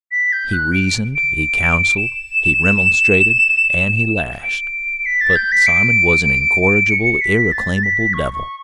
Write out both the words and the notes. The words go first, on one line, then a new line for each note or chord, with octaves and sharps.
He reasoned, he counseled, he remonstrated, and he lashed; but Simon was an incorrigible, irreclaimable devil.
B6
G6
F#6
D7
D7
E7
D7
B6
A6
G6
B6
D7
C#7
B6
A6
B6
C#6
C#6